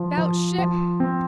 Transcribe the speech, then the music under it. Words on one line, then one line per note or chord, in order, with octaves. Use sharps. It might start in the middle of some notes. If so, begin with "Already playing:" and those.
Bout ship.
Already playing: F3
F3
F3
C4